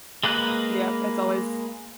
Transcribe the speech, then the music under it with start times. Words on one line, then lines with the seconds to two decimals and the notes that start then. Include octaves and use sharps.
Yep, it's always
0.23 G#3 A#3 B4 F#6